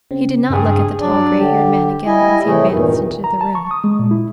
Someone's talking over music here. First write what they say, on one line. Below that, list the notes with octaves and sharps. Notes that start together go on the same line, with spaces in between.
He did not look at the tall, gray-haired man again as he advanced into the room.
C#3 C4
G2 G#4
F#3 D4 D5
D3 G4
G3 E4 D#5 G#5
A2 C3 E3 A3 E4 G#4
E2 G2 A#2 D#3
A#5
A5
C#6
D#6
G#3
A#2
E4